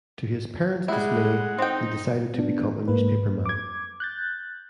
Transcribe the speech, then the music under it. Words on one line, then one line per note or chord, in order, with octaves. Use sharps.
To his parents' dismay, he decided to become a newspaperman.
G3 G#3 E4 F#5
C4 D#4 G5
B3 D4
G#2 A#3 B4
D6 G#6
F#6 G6 A6